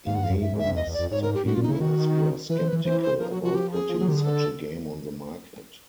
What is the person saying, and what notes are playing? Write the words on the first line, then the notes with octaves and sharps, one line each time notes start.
Inaba's superiors were skeptical about putting such a game on the market.
G#2 F5
F#5
G2
F5
F#2
G2 E5
G#2
E5
G2
F2
E2 D#5
E2
D5
F2
G#2 C#5
A#4
G4
A2 F#4
F4
A#2
D#4
C#3 E4
D#3 F#4
E3 B4
C5
E3
B4
E3
E3 C5
C5
F3 A#4
F#3 F#4
F3 F#4
F3 G4
G#4
F3
F#3
D#3 G4
D3 G#4
A4